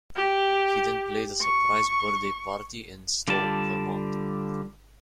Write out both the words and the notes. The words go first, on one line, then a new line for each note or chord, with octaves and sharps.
He then played a surprise birthday party in Stowe, Vermont.
G4
C#6
D3 G3 F4 D5 A5